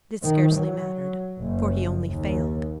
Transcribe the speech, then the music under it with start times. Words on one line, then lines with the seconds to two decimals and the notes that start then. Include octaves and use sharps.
But it scarcely mattered, for he only failed.
0.24 D#3
0.55 F#3
1.41 F#1
2.09 D#2